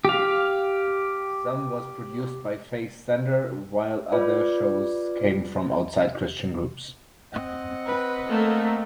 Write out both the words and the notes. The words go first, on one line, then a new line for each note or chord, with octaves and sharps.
Some was produced by Faith Center while other shows came from outside Christian groups.
G4 F5
F4 B4 D5
C4 D#5 F#5
B4
A3 A#3